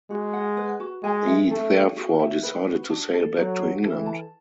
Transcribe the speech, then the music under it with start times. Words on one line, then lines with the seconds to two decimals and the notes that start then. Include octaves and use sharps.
He therefore decided to sail back to England.
0.10 G#3 F#4
0.33 F#5
0.57 B4
0.80 F#4
1.03 G#3 G#5
1.27 E5
1.50 A3 A4
1.73 E4
1.96 F#4
2.19 E5
2.43 B4
2.67 F#4
2.90 D4
3.14 A4
3.37 F#3 F#4
3.59 D4
3.83 E3 A4
4.06 A5